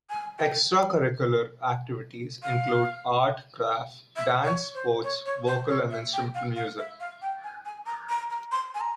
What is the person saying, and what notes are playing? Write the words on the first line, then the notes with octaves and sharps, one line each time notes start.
Extracurricular activities include art, craft, dance, sports, vocal and instrumental music.
G#5
G5
F5
E5
C#5
C5
C#5
C#5
C5
C#5
E5
G5
F5
F5
E5
F5
G5
G#5
G#5
A#5
A#5
A#5
C6
G#5
A#5